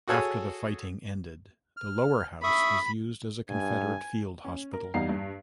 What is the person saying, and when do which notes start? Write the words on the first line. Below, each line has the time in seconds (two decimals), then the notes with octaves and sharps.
After the fighting ended, the lower house was used as a Confederate field hospital.
0.08 F#4 G#4 A4 C#5 G#5
1.77 F6
2.44 E5 B5 C#6 D#6
3.49 G2 G#5
4.45 C#4
4.73 A#4
4.94 E2 G3 D#4 F5 A#5 C7
5.09 G2